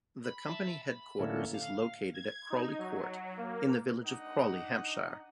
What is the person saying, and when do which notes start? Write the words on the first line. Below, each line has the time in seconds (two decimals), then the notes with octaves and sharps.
The company headquarters is located at Crawley Court in the village of Crawley, Hampshire.
0.24 B5
0.47 E5 A5 B5
0.83 B5
1.19 A2 D3 A3 A#3 C#4 E4
1.54 F5
2.14 G#6
2.50 D#4
2.78 F#3
3.37 A#3
4.05 D4 D#4 D#5 F#5